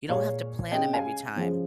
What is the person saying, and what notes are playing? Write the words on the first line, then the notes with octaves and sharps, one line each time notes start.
you don't have to plant 'em every time.
A#2 G#3 C#5 F5
C#3 G#3 D#5 G5
F5 G#5
C#3 F3 G#3